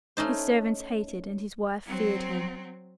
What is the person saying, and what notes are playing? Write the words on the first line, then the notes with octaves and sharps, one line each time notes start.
His servants hated, and his wife feared him.
A3 C#4 D#4 C5
F#3 C4